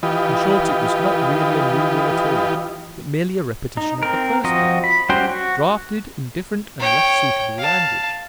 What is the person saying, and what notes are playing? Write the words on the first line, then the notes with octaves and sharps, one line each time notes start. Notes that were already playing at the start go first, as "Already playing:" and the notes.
In short it was not really a new will at all, but merely a repetition of the first one, drafted in different and less suitable language.
E3 F4 G4 B4 D#5
D#4
C4 A#4
F3 C4 F#4 D#5
B5
G3 C#4 F#4 C5 G5
F#4
C#5 G5
F5 A5